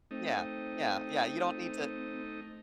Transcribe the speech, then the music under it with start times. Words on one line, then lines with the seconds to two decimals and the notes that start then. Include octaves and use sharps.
Yeah. Yeah, yeah. You don't need to
0.11 A3 C4 D#4